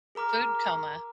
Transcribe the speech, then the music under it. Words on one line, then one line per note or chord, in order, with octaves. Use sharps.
Food coma.
G#4 A#4 A#5 D6 F6